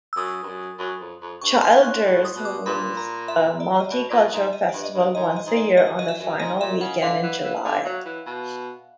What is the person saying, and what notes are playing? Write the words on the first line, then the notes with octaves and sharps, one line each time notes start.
Childers holds a Multicultural Festival once a year on the final weekend in July.
E6
F#2 D#6
G2
F#2
F#2
F2
F2
G2 C#6
C6
G#2
F#6
A2
D#6
B2
D6
A#2 B5
A#5
E5
D5
D#5
B2 D5
A#2 D5
D#5
G#2 E5
D#5
G2 D5
D#5
G2
D5
G#2 D#5
D#5
G#2
D5
G2 D#5
F#2 D#5
E5
F#2
G#2 D#5
A#2 E5
C#3 F#5
D3 F5
E3
E3
D3
F#3
E3
B2